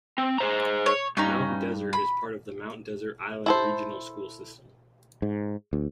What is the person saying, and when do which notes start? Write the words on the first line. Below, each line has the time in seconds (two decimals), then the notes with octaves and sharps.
Mount Desert is part of the Mount Desert Island Regional School System.
0.18 C4
0.38 G#4 C5 A#5
0.86 C#5
1.17 G2 C#4 D#4 A#5
1.93 B5
3.46 E4 A4 C5
5.22 G#2
5.73 D2